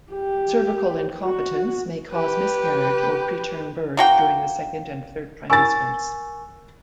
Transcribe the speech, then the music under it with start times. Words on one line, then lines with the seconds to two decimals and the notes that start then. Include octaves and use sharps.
Cervical incompetence may cause miscarriage or preterm birth during the second and third trimesters.
0.12 G4
1.23 F#4
2.12 G4 B4
3.97 A#3 F#4 G5
5.50 A#4 G#5 C#6 E6 A6